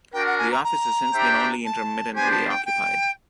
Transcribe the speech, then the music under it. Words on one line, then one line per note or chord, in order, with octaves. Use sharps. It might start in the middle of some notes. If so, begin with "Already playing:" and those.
The office has since been only intermittently occupied.
D4 F#4 A#4 G5
F#5
G#5
A#5
A#5
D4 G4 C5 E5 G5
A5
B3 D4 G4 C5 G#5
A5
G5
G5